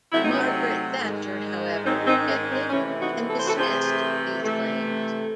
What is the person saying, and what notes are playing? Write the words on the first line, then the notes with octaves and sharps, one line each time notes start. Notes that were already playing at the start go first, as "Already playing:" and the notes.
Margaret Thatcher however, rejected and dismissed these claims.
C3 F#3 A3 E4
D#4
C#4
C4 D#4
G#2 D#3 G#3
G#2 D#3 G#3 C4 D#4
C4 D#4
C#4
C4
C3 E3 A3 C#4
D#4 F#4
A4
C5
F#4 A4
C3 E3 A3 G#4 C5
C3 E3 A3